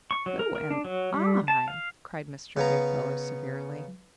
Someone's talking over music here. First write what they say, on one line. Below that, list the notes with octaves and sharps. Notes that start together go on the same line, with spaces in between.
"Who am I?" cried Mr. Goodfellow, severely.
C#6
F#3
A#4
A#4
D4
F#3
G3
A5
F5
C#3 B3 A#5